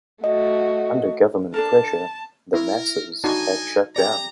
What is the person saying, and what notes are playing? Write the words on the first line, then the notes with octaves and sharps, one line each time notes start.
Under government pressure, "The Masses" had shut down.
A3 F#4 D#5
D4 A4 A#4 A5
E4 A#4
D4 D#4 F#4 A4 D#5 G#5
G4 D5 A#5